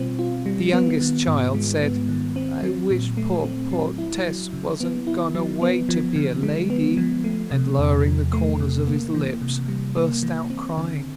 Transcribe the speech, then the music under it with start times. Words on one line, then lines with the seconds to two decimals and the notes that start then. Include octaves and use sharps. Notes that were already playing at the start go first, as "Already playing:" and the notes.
The youngest child said, "I wish poor, poor Tess wasn't gone away to be a lady!" and, lowering the corners of his lips, burst out crying.
Already playing: B2 G3 C4 F4
0.19 F4
0.46 G3
0.73 B3
1.00 D#3
1.27 G#2
1.55 G#3
1.81 B3
2.09 D#3
2.36 C4
2.63 F#3
2.90 A#2
3.17 A3
3.44 C4
3.71 F#3
3.98 E4
4.26 F#3
4.53 C#3
4.80 B3
5.07 E4
5.35 F#3
5.62 B3
5.89 F3
6.16 D3
6.43 G#3
6.70 B3
6.97 F3
7.24 A3
7.51 C3
7.79 E2
8.06 F3
8.33 A3
8.60 C3
8.87 A#3
9.14 E3
9.42 C3
9.68 G3
9.96 A#3
10.23 E3
10.50 C4
10.77 D3